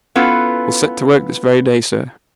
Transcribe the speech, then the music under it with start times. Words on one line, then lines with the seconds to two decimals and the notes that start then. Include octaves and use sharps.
"We'll set to work this very day, sir."
0.16 B3 C#4 E4 F4 A4 B4